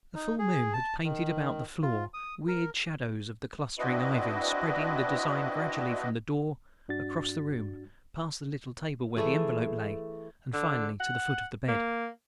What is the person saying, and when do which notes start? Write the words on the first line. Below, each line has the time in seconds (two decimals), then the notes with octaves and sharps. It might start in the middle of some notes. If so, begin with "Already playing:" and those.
The full moon had painted about the floor weird shadows of the clustering ivy, spreading the design gradually from the door, across the room, past the little table where the envelope lay, and finally to the foot of the bed.
0.15 D#4
0.39 G#4
0.73 A5
1.04 D#3
1.82 F4
2.14 D#6
2.48 A#4
3.79 C4 D4 E4 F#4 B4 D#5
6.88 G2 D4 F#4 A6
9.17 E3 A3 G#4
10.53 D3
11.00 F#5
11.68 A#3